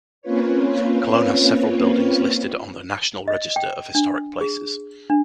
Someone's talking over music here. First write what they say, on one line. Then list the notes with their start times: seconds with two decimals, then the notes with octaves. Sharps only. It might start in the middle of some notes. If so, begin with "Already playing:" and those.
Cologne has several buildings listed on the National Register of Historic Places.
0.22 A#3 C4 C#4 F4 B4 C#5
3.28 D#5
3.56 G5
3.95 D4
4.41 G#4
5.10 D4